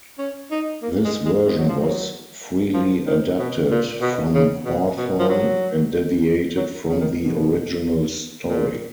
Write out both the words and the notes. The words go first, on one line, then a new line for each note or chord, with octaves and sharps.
This version was "freely adapted" from Hawthorne and deviated from the original story.
C#4
D#4
A#3
G#3
G#3
G#3
F#3
F3
F#3
F3
D#3
B2
A#2
B2
C#3
B2
B2
F3
F#3
F#3
C#3
D#3
B2
A#2